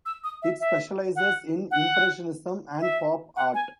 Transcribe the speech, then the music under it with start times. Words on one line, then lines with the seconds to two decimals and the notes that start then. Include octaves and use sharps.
It specialises in Impressionism and Pop art.
0.06 E6
0.24 D#6
0.42 E5
0.61 E5
1.16 F#5
1.71 F#5
2.81 E5
3.36 F#5
3.54 G#5